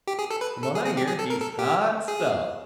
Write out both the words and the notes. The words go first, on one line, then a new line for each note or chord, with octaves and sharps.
"From what I hear, he's hot stuff!"
G4
G#4
A4
B4
A4
G#4
G#4
G4
G#4
A4
A#4
A4
G4
G#4